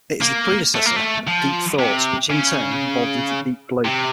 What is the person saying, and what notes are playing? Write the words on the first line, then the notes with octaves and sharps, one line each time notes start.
It is the predecessor of Deep Thought which in turn evolved into Deep Blue.
A#3
A3
A#3
A3
F3
C3
C#3
C3